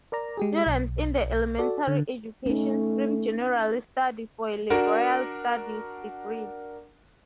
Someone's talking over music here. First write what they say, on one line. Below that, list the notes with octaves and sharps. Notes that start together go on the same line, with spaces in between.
Students in the elementary education stream generally study for a Liberal Studies degree.
A#4 D5 A#5
G#3 G4 G#4
B1
F#4 A4 D5
D3
A3 C#4 D#4
D4 F#4 A#4